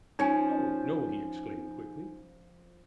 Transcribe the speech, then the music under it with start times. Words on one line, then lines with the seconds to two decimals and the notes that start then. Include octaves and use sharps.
"No, no," he exclaimed quickly.
0.19 F3 C#4 D#4 G#5